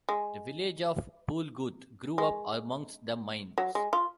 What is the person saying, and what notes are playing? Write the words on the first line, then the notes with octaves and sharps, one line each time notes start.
The village of Polgooth grew up amongst the mines.
G#3
G#3
F#3
G#3
F4